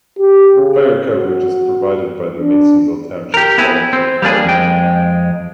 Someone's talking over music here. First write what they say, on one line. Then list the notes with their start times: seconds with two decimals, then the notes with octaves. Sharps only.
Fire coverage is provided by the Masonville Township Volunteer Fire Department.
0.19 G4
0.55 C#3
1.14 F#4
2.39 D4
3.34 G4 A#4
3.58 B3 C4 E4 G#4
3.93 C4
4.22 G3 A#3 D4 G#4
4.45 F2 G#3 G5